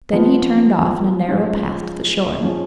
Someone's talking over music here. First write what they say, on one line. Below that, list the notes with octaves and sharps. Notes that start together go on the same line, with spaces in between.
Then he turned off in a narrow path to the shore.
F3 B3 F4
F3 G#3 C#4
F3 G#3 C#4 G#4